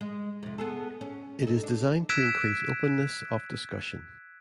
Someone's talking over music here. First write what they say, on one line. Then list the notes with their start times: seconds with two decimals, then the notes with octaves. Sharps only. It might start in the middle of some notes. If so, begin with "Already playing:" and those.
It is designed to increase openness of discussion.
0.01 G#3
0.43 F2 C3
0.58 B3 G#4 A4
1.01 C#4
1.42 D#4 A4
1.63 D4
2.09 E6 F#6 G#6 B6 D7 E7